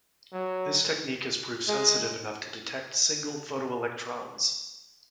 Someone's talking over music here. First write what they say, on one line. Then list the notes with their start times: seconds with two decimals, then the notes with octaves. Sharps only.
This technique has proved sensitive enough to detect single photoelectrons.
0.33 F#3
1.68 G#3